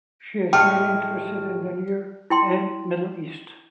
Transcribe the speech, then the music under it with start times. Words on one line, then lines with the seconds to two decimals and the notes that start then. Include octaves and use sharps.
She is mainly interested in the near and Middle East.
0.53 A2 G#3 G4 G5 A5 F6
2.30 E4 G5 C6